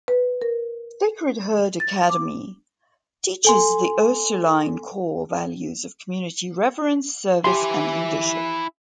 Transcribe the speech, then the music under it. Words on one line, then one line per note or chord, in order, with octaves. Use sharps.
Sacred Heard Academy teaches the Ursuline Core Values of community, reverence, service, and leadership.
B4
A#4
A6
D6
A4 G#5 C6
E4 G4 G#5 C6